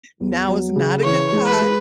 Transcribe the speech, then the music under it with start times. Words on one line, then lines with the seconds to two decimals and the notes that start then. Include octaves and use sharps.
now is not a good time"
0.20 E2
0.48 F#3
0.76 C#3
1.03 E3 C#5
1.32 G#3
1.45 B4
1.60 G#3